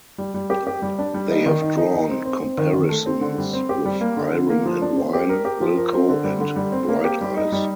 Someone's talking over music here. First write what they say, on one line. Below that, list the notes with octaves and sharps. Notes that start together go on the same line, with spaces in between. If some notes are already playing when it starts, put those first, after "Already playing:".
They have drawn comparisons with Iron and Wine, Wilco, and Bright Eyes.
G3
G3
G4
G4
G3
D4
G3
D#4
D#3
D#4
D#4
D#4
C4
C4
C4
D#3
D#3
A3
C4
D3
G3
C4
G4
G3
A#3
D3
D3
A#3
F3
D4
C4
G4
A#4
G4
F3
A#4
C4
D3
G3
D3
G3
C4
A#3
G4
G3
D#4
G3